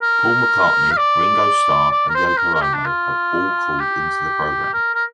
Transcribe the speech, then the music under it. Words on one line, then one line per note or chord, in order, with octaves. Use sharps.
Paul McCartney, Ringo Starr, and Yoko Ono have all called into the program.
A#4
F5
D5
D5
A#4
C5
C5
A#4
A#4
G4
D4
F4
G4
A#4
A#4